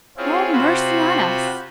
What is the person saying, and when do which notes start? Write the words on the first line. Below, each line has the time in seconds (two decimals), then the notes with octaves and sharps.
Oh, mercy on us!
0.17 C4 C#4 E4 F4 G#4
0.53 C3 F4 F#4 C5 B5